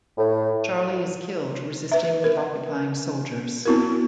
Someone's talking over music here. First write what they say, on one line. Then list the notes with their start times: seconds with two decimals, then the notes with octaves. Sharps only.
Charlie is killed resisting the occupying soldiers.
0.18 A2
1.92 B4 E5
2.24 A#4
3.65 B3 C4 E4 F#4 A#4